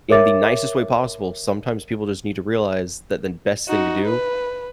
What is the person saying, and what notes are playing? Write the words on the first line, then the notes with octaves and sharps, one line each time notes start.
In the nicest way possible, sometimes people just need to realize that the best thing to do
A#4 C#5 E5 D6 A6
D#4 F#4
B4